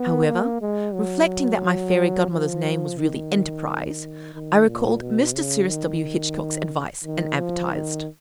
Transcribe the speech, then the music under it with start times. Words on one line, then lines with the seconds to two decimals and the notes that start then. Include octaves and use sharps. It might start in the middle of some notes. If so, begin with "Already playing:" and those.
However, reflecting that my fairy godmother's name was really Enterprise, I recalled Mr. Cyrus W. Hitchcock's advice, and advertised.
Already playing: B3
0.27 A#3
0.61 G#3
0.94 F#3
2.30 F3
2.98 D#3
4.34 D#3
4.67 A#2
5.01 B2
5.35 C#3
5.68 D#3
7.04 D#3
7.37 F3
7.71 D#3